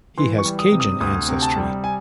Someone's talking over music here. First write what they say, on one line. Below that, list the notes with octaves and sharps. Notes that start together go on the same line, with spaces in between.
He has Cajun ancestry.
E3 C6
C#6
G3
D#6
C3
D#6
D2 D#6
C3
A5
G3
G#5